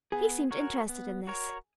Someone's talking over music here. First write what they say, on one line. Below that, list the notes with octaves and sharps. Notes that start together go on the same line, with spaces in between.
He seemed interested in this.
B3 G#4
F#4 A#4 C#5
B3
F#4 A#4 C#5